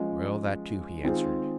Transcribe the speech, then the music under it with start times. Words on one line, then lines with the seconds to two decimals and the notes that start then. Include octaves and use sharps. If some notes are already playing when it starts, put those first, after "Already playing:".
Well, that too he answered.
Already playing: F3 G#3 C#4
1.03 D#3 G#3 C4 F4 G#4